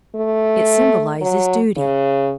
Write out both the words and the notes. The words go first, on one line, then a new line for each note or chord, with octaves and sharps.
It symbolizes duty.
A3
F#3
C#3